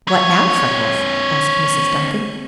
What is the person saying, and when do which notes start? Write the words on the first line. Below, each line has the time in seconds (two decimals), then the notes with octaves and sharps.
"What now, Freckles?" asked Mrs. Duncan.
0.08 C4 C#5